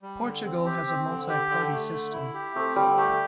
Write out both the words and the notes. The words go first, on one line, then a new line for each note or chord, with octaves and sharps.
Portugal has a multi-party system.
G3
D3
C4
G4
C4
D3
G4
D3
A3
D3
E4
G4
A3 C4
D3 G3
A3 G4